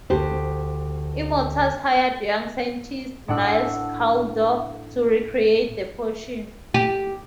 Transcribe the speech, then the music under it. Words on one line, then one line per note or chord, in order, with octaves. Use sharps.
Immortus hired young scientist Niles Caulder to recreate the potion.
D2 G4 C5
A2 D4 F#5 E6
G4